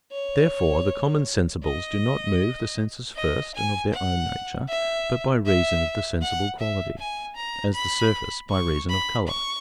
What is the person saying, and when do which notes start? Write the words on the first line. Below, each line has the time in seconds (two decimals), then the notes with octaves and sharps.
Therefore the common sensibles do not move the senses first and of their own nature, but by reason of the sensible quality; as the surface by reason of color.
0.11 C#5
1.64 D#5
3.16 D#5
3.55 G#5
3.93 F#5
4.69 E5
5.46 E5
6.21 F#5
6.60 E5
6.99 G#5
7.36 A#5
7.74 B5
8.50 C#6
8.89 B5
9.27 C#6